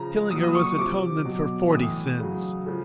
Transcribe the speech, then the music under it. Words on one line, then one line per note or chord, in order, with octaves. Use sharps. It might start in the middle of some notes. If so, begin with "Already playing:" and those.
Killing her was atonement for forty sins.
Already playing: C#3 F3 A#5
A#2 F#3 D#6
D#6
C#6
C#6
C3 F3 D6
B2 F#3
A2 E3 D#6
C#3 F#3
C#3 F3